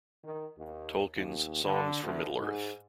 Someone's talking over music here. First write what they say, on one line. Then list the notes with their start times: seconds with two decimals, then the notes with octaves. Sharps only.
Tolkien's Songs from Middle-earth.
0.24 D#3
0.58 D#2
1.16 D#2
1.65 D3
2.03 D2
2.39 G#2